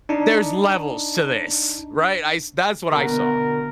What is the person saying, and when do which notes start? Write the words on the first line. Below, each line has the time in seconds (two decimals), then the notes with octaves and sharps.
there's levels to this, right? I s that's what I saw,
0.09 D4 D#4
2.91 D2 B2 A#4